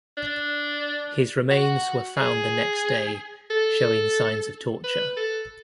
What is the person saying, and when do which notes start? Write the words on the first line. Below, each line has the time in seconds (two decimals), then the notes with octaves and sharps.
His remains were found the next day showing signs of torture.
0.17 D4
1.51 F#4
2.17 G#4
3.50 A4
4.84 B4
5.17 A4